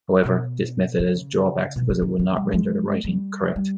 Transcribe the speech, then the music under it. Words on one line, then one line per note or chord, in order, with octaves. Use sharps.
However, this method has drawbacks because it will not render the writing "correct".
B2
C#3
B2
C#3
D#3
E3
G3
G#3
G3
G3